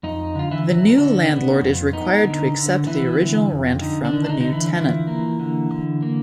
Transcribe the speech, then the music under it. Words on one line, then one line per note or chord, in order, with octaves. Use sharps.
The new landlord is required to accept the original rent from the new tenant.
F2 D#4
D3 F4
E3 E4
F#3
D3 D4
B3
F2
B3 D#4
D3
D3
E3 B3 E4
D3
F2
D3 D#4
D4
D3
D4
D#4
D3 D#4
E3 E4
E3 F3 E4
A#3
D3
D3
A#3